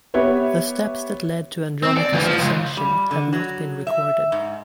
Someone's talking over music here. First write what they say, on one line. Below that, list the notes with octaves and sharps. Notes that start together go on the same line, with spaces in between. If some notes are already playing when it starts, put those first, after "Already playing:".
The steps that led to Andronikos' ascension have not been recorded.
B3 G4 B4 C#5 E5
C4
D5
D2 E3
F3
C#2
G3
D3
F#3
E5
G#2